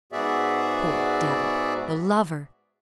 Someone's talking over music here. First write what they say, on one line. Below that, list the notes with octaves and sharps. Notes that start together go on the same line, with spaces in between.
Poor devil--the lover!
G#2 B3 F#4 G#4 D5 E5